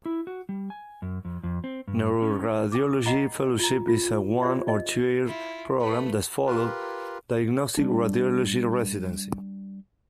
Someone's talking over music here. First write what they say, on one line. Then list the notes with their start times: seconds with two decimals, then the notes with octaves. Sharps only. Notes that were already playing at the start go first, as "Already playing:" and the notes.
Neuroradiology fellowship is a one- or two-year program that follows diagnostic radiology residency.
0.06 E4
0.27 F#4
0.49 G3
0.70 G#5
1.02 F#2
1.25 F2
1.43 F2
1.64 C4
1.88 G2
2.22 C#4
2.72 G5 D6
3.06 D#5 F#5 G5 A#5 B5
3.59 F4 A#5
3.88 F4
4.42 F4 G4 C5 D5 E5
4.68 D#5
5.27 E4 F4
5.79 A3 B4
6.47 F4 G4 A#4 B4
7.77 G3 A3 D4